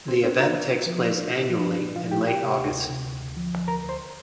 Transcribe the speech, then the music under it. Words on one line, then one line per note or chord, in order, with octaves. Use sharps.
The event takes place annually in late August.
C4 F4 C5
C4 D4 C5
D4 A#4 A#5
F4
F4
F3
F4
D4
A#2
F3
D4
A#2
F3 F4 F5
A#2 G4 G5
F4 G4 G5
C3
D2
D2
C3
D2
D2
F3
D2
D2 A#4 A#5
D2
C5 C6